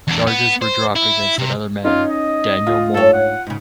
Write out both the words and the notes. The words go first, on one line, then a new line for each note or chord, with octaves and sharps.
Charges were dropped against another man, Daniel Moore.
E2 D4
B3
C5
E4
C3
C#4 D#4 F4
D#5
D2 F4
G#2 A4 C#5
F#5
G#2 C#3